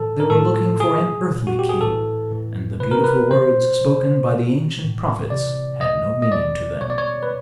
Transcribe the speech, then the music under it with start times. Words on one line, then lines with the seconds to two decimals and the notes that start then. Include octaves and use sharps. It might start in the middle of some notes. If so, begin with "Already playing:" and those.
They were looking for an earthly king, and the beautiful words spoken by the ancient prophets had no meaning to them.
Already playing: A2 E3 A4
0.20 A#4
0.30 A2 E3 A4
0.80 B2 G#4
1.31 A#2
1.47 F#4
1.59 G4
1.69 G#4
1.81 A2 E3 A4
2.31 A2 E3
2.80 C3 E3 B4
2.91 A#4
3.04 B4
3.31 B2 C5
3.81 C3 E3
4.31 B2
4.82 A2 E3
5.30 C3 E3 D5
5.81 B2 D#5
6.22 D#5
6.31 B2 D5
6.81 B2 C#5
6.90 D5
6.98 C#5
7.23 B4